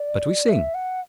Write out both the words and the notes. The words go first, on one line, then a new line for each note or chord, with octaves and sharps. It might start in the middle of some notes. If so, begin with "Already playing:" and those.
But we sing.
Already playing: D5
E5
F#5